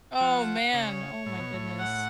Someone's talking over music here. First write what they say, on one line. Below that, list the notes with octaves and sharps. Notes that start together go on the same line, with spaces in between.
Oh man, oh my goodness.
F3 F#5
C#3 C#5
A2
B2
A2
F#5